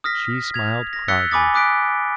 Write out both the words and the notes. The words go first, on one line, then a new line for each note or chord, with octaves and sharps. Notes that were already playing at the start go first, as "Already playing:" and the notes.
She smiled proudly.
D#6 F6 A#6 B6
G#6 F7
A#6
E6 F#6 A6 B6 C#7 G7
G#5 B5 D6 D#6 A6
D6 D#6 F#6 B6 D7